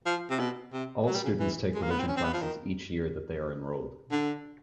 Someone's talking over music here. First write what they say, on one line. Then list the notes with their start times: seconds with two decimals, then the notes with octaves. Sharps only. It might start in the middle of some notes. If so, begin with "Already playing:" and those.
All students take religion classes each year that they are enrolled.
0.06 F3
0.30 C3
0.39 B2
0.73 C3
1.06 F#3
1.15 G3
1.24 C#3
1.40 E3
1.74 G#3
1.82 A#3
1.91 B3
1.99 C4
2.08 C#4
2.17 C4
2.24 B3
2.33 F3
2.42 D#3
4.11 D3